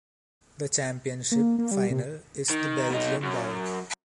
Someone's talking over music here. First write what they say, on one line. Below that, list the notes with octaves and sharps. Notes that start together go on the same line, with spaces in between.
The championship final is the Belgian Bowl.
A#3
A#3
G3
C3
D#3
B2 D#4
F#2